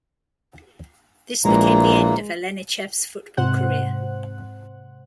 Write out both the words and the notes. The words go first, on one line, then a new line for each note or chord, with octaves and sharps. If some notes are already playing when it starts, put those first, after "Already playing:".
This became the end of Alenichev's football career.
A#1 A#2 E3 G#3 A#3 A#5
G#2 C3 C5 F#5 F#6